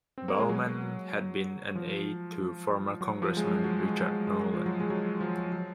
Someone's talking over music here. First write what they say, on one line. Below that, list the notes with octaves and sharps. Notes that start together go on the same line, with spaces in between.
Baumann had been an aide to former congressman Richard Nolan.
C4
A#3
G#3
F#3
F3
F#3
F3
G#3
F#3
F#3
G#3
G#3
G#3
F#3
F3
F#3
G#3
F#3
F3
F#3